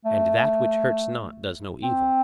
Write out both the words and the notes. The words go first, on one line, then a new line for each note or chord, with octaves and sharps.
And that which hurts not does no evil?
A3
C4